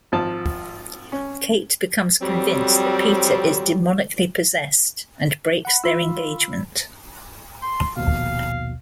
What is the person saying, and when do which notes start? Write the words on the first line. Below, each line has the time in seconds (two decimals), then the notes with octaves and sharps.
Kate becomes convinced that Peter is demonically possessed and breaks their engagement.
0.12 G#1 F3 A5
1.12 C#4
2.22 F2 F#3 G3 C4
5.65 F#5 B5
5.84 F4 B5 E6
7.62 C6
7.97 A#1 D#2 B2 F5